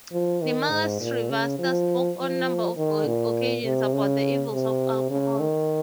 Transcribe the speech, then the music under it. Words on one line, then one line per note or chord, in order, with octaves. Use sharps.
Nirmala Srivastava spoke on a number of occasions about the evils of alcohol.
F3
D#3
G#2
A#2
C#3
F3
F3
D#3
A#2
C3
C#3
C3
C#3
D#3